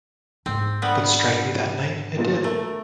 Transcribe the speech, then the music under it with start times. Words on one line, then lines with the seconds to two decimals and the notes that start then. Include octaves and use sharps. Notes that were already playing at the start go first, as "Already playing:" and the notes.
But strike me that night, it did.
0.46 G#2 C4 D#4
0.82 D3 G3 B3
2.17 G1 A#2 A6
2.44 A3 A#4